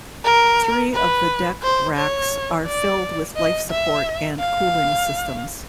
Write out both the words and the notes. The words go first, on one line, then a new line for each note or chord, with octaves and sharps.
Three of the deck racks are filled with life support and cooling systems.
A#4
B4
C5
C#5
D5
D#5
E5
F5